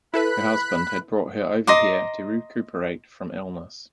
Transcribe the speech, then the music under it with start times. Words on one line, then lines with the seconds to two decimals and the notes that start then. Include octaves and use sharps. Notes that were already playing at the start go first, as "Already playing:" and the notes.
Her husband had brought her over here to recuperate from illness.
0.14 E4 A4 B4 B5 F#6
1.67 D#5 A#5 C6 D6